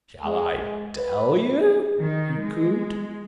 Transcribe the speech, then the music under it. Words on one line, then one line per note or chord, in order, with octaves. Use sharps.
"Shall I tell you?" he cooed.
G#3
B4
D#3
G#3